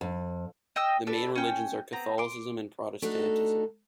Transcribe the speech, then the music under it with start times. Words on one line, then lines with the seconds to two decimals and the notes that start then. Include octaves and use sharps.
The main religions are Catholicism and Protestantism.
0.01 F2
0.76 D#5 G5 E6
1.07 D4 A4 B4
1.35 C#4 G5
1.93 B3 C4 A#5
2.18 C6 D6
3.02 A3 D4 D#4 F#4 A4